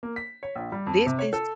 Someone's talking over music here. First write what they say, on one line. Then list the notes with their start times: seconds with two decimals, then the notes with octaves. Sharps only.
This is"
0.03 A#3
0.16 B6
0.43 C#5
0.56 A#1
0.72 G3
0.87 F2
1.07 C3
1.19 C#5
1.33 A4